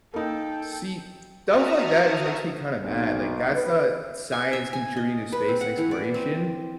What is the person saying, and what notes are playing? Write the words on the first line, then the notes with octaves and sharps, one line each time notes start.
See, stuff like that just makes me kinda mad, like, that's not science contributing to space exploration,
A#3 D#4 A4 G5
F#4 E5 A5 A#5 D#6 F6
B1
B4
G#5
E5
G#5
D#5
B4
C4
F#5
E3
D5
C4